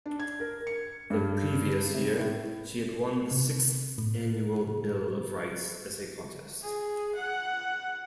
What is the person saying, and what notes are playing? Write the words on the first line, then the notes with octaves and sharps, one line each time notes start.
The previous year, she had won the Sixth Annual Bill of Rights essay contest.
D4
G#6
A#4
C#7
G2
C3
A2
C3
A2
G#4
F#5